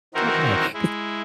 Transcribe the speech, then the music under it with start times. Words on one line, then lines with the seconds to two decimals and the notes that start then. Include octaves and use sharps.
Okay, 'cause
0.14 D#3 E3 C4 D#4 F#4 A#4
0.74 G#3 E4